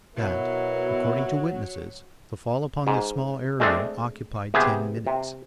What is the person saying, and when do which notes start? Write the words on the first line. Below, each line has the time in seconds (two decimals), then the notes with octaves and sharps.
That, according to witnesses, the fall upon this small area occupied ten minutes.
0.16 B2 F#3 E4 A#4
2.87 G#2
3.60 G#3 A3 C4 D4
4.54 C3 B3 G4 G#4
5.07 C3